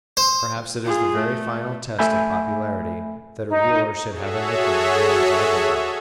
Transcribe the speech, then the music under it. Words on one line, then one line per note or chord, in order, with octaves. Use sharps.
Perhaps it is the very final test of popularity that a ruler should have a nickname known to every one.
C5
F4 G#4
A3
A3 E5 G#5 B5 G6
D#4
F#4 G#4 A4 C#5 E5